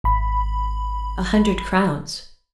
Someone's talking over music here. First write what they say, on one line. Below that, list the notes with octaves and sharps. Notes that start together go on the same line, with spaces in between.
"A hundred crowns."
G#1 B5